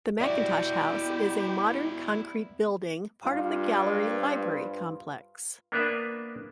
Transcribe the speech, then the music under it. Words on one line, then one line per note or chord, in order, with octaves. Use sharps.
The Mackintosh House is a modern concrete building, part of the gallery-library complex.
B3 E4 F#4 G4 D5 E5
G2 F4
B4 C5
A#3 B3 D4 A#4 B4 E5